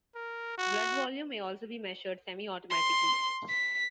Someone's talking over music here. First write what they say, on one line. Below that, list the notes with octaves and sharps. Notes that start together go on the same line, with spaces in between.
Blood Volume may also be measured semi-automatically.
A#4
F#4
C6
B6